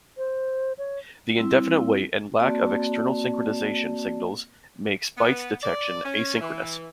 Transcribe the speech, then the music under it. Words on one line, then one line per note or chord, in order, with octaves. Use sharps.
The indefinite wait and lack of external synchronizaton signals makes byte detection asynchronous.
C5
C#5
G3 C4 E4
A#3 C4 F#4 D5 A5
B3
D5
C#4
E3